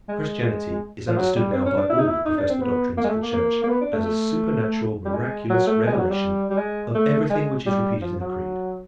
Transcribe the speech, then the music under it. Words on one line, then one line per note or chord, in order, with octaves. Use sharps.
Christianity is understood now by all who profess the doctrines of the Church as a supernatural miraculous revelation of everything which is repeated in the Creed.
G#3
F3
F#3
G3
C4
C#4
D4
E4
D#4
E4
D#4
D4
C4
B3
A#3
G#3
A3
A#3
A#3
A#3
B3
D4
A3
A3
G3
G#3
F#3
A3
G#3
G3
F#3
G3
G3
G#3
A3
G#3
G3
F3
F#3